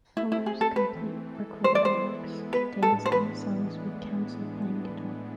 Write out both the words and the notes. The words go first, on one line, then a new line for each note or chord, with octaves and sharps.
Fuller's "Complete Recorded Works" contains many songs with Council playing guitar.
A3 E4
E4
C4
G#4
C4 A4
A3 B4
E3
E3
A4
G#3
C5
B3 D5
C5
E4
E4
G#3
B3 B4
D4
A4
A2
C5
E3 B4